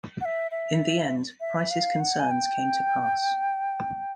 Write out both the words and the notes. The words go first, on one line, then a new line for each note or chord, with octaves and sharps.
In the end, Price's concerns came to pass.
F#5
E5
E5
E5
F5
F#5
G#5
G5